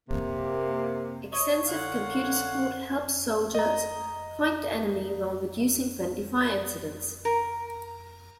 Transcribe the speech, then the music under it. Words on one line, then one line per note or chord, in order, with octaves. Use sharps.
Extensive computer support helps soldiers fight the enemy while reducing friendly fire incidents.
C3 A#3
C#5 D#5
D3 C#5 F5 F#5
D#5 A#5
A#4